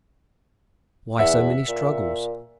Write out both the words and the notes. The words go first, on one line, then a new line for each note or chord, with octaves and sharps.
Why so many struggles?
E2 E5 F#5
A#2